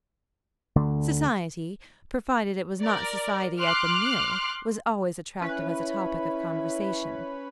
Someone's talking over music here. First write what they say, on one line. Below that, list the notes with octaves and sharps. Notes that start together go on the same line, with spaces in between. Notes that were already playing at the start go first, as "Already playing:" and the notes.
Society--provided it was not society at the mill--was always attractive as a topic of conversation.
D2 D3 A3 D4
A#4 D5
C6 D6 F6 F#6
C#4 E4 B4